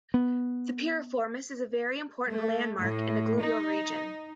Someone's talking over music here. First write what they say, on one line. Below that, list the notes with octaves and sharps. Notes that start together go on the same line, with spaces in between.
The piriformis is a very important landmark in the gluteal region.
B3
A3
A2
D#4